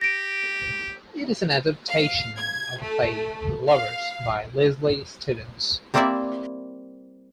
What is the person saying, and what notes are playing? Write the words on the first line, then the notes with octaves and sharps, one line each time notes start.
It is an adaptation of the play, "The Lovers", by Leslie Stevens.
G4 A#6 D7
F5
G#6
A3
F5
G3 A#3 C4 E4 D5 E5